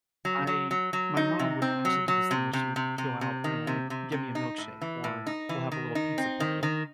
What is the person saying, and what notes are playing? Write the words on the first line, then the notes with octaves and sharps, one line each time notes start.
I my mom would actually do this thing where she would go out and get me a milkshake, or we'll have a little pizza party.
F#3
F#3
F#3
F#3
D#4
C3
C4
F#3
F#3
C3
C3
C3
C3
C3
D#3
C3
C3
C3
D#4
A2
E3
A2
D#4
E3
D#3
D#4
C4
D#3
D#3